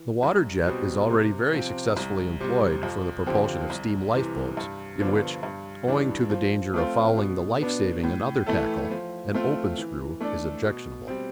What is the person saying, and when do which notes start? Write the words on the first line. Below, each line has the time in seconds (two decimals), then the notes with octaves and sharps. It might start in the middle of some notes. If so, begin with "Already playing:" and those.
The water-jet is already very successfully employed for the propulsion of steam lifeboats in which, owing to the danger of fouling the life-saving and other tackle, an open screw is objectionable.
Already playing: E3
0.23 C2
0.66 B2 G3 C4
1.10 C3
1.54 F3 C4
1.97 C2
2.40 C3 G3
2.83 F2
3.26 D3 F3 C4 G4
3.70 C2
4.14 C3 E3
4.57 G2
5.00 D3 F3 B3 D4
5.43 G2
5.87 E3 G3 D4
6.30 F3
6.74 A3 C4 F4
7.17 B2
7.61 B3 D4
8.04 A2
8.46 E3 A3 E4 A4
8.90 F3
9.34 A3 C4 F4
9.77 E3
10.20 A3 D4 A4 D5
10.64 B2
11.08 G3 C4